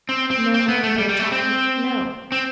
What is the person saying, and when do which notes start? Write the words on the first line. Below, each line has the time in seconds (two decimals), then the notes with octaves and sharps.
No, my dear child; no.
0.09 C4
0.31 C4
0.54 C4
0.68 B3
0.83 A3
0.98 G3
1.09 G3
1.20 A3
1.32 C4
2.32 C4